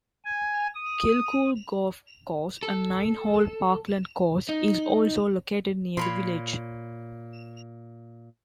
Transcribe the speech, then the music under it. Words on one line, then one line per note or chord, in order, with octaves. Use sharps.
Kilcoole Golf Course, a nine-hole parkland course, is also located near the village.
G#5
D#6
A4
D#4
A#2 C#5 B5 C6